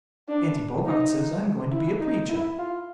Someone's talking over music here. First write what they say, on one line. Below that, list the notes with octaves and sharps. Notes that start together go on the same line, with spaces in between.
Auntie Bogart says I'm going to be a preacher.
D4
D#4
E4
D#4
E4
F4